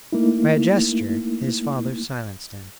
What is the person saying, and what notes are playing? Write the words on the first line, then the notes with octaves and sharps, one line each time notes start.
By a gesture his father silenced him.
A3 A#3 D#4 E4